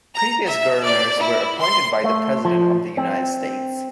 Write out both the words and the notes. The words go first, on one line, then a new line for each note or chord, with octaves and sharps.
Previous governors were appointed by the President of the United States.
A#5
E5
D5
E4
C6
A3
F3
C4